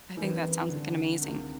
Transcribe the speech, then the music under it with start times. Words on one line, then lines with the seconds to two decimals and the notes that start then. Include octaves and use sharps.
I think that sounds like an amazing
0.17 F#2 D#3 E3 G3 C4
0.69 D3
1.21 C#2 C3 D#3